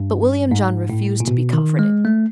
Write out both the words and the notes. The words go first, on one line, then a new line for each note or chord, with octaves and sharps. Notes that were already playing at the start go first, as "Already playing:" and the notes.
But William John refused to be comforted.
Already playing: G2
G#2
A2
A#2
B2
D#3
G#3
A3